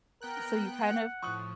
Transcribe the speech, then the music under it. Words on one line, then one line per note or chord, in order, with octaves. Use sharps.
So you kind of
B3 A#4 G5 F#6
F#5
A2 F3 C#6 D#6 F#6